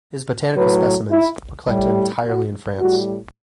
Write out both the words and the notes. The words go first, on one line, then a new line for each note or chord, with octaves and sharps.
His botanical specimens were collected entirely in France.
A2 F#3 B4
E4
A2 G3
F#4
A2 G3 F#4